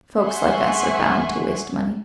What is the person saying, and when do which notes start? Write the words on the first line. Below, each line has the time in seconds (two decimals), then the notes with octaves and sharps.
Folks like us are bound to waste money.
0.21 G#4 E5 F#5 G#5 C6 C#6